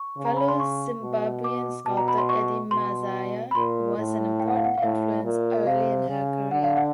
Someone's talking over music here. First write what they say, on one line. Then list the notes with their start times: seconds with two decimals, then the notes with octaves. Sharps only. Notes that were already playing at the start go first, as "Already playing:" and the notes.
Fellow Zimbabwean sculptor Eddie Masaya was an important influence early in her career.
Already playing: C#6
0.17 C#3
0.25 A#5
0.37 B5
0.48 C6
0.60 C#6
1.02 B2
1.44 D6
1.86 B2 A5
1.97 A#5
2.08 B5
2.18 C6
2.29 C#6
2.71 B2 C6
3.51 B5
3.55 A#2 C6
3.98 A2
4.40 G5
4.48 F#5
4.56 F5
4.64 F#5
4.78 F5
4.82 A2 E5
5.25 A#2
5.66 C3 F5
6.09 C#3
6.51 D3 F#5
6.63 F5
6.77 F#5